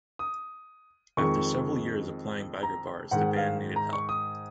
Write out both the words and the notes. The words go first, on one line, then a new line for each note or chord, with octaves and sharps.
After several years of playing biker bars the band needed help.
D#6
F2 D#3 G#3 C#6
A#5
G#2 D#3 G#3 F#5
F5
A#5
C#6
D#6